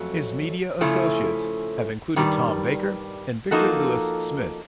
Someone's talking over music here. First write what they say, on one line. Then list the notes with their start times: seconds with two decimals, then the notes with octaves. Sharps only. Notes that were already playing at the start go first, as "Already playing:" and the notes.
His media associates have included Tom Baker and Victor Lewis-Smith.
Already playing: F2 F#3 A3 C#4
0.81 C#3 F3 A3 C#4 E4
2.16 G2 D#3 G3
3.51 F3 A#3 D#4 F#4 A4